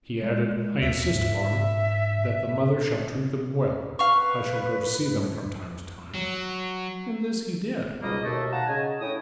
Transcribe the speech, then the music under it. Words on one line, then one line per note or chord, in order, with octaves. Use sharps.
He added: "I insist upon it that the mother shall treat them well. I shall go to see them from time to time." And this he did.
G#3
D#2 E5
G#2
B4 F5 C#6
F#3
C#2 G#2 B2 G3 A#3 D#5
D#2 B2 A3
F5 F#5 A5 A#5
C#3 D#5 G#5
A2 C#4 D4 E4 G5 D#6